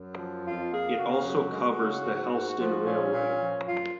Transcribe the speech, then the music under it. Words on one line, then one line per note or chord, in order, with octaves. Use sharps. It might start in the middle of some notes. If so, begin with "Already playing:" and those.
It also covers the Helston Railway.
Already playing: F#2
F3
F2 F4
A#3 G#4
C#3 F#4
F#2
G#3
C#3
G#2
G#2
F3
A#2 C#4
A#2
F3
F#2 F4